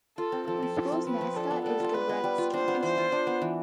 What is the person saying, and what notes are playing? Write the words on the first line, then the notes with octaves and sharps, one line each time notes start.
The school's mascot is the Redskins.
F4 A4
C4
F3 A4
F3
F4
C4
F3 B4
F3
D4 A4
B3
G3 A4
F4
D4 B4
B3
G3
F4
D4 C5
B3
E3 C5
F4
D4
B3
E3